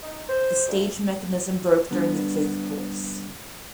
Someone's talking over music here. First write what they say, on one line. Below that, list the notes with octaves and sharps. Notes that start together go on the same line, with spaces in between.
The stage mechanism broke during the fifth course.
D#4
C5
D2
D3 G3 B3